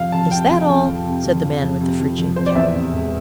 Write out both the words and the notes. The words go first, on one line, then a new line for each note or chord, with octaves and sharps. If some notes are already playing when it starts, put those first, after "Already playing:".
"Is that all?" said the man with the phrygian cap.
Already playing: F2 C3 F3 F5
F2 A5
C3 G5
F3
F2
F2
C3
F3
F2
F2
C3
F3
F2
F2 C5
D5
E2 E5
C3
E1